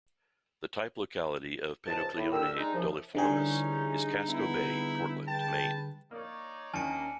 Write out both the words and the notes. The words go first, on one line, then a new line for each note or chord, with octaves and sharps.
The type locality of "Paedoclione doliiformis" is Casco Bay, Portland, Maine.
C#2 G#2 D#3 F3 G#4 A5
A2
D3 G4 A#4 E6
G3 G#3 D#4
C2 C#3 F3
D3 E3 G3 C#4 D#4 G#4
B3 E4
B4 G5 A5
A#3 D#4 C#5 D5
D#2 A#3 C#4 D4 D#5 G#5 A5 C#7